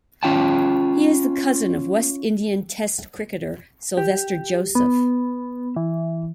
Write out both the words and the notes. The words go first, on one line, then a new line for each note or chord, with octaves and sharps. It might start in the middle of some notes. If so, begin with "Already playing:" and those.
He is the cousin of West Indian Test cricketer Sylvester Joseph.
C#4 F4 G5 A5
G4
B3
E3